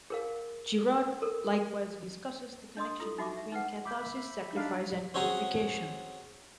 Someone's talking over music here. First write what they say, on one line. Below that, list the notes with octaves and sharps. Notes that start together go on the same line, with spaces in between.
Girard likewise discusses the connection between catharsis, sacrifice, and purification.
G#4 A#4 F5
A4 A#4
D4 D#5 C6 D#6
E4 F4 A4 D#6
D#4 F#4 E5 C#6 D6
E5
D#4 B4 F#5
E5 B5 D6 G6
D4 D#4 F5
C4 C#4 F#4 G#4 A#5